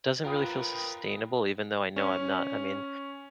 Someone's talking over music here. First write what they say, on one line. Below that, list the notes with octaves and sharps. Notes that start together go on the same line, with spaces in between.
doesn't really feel sustainable even though I know I'm not I mean,
F4 A#4 B4 G5 D#6
C#4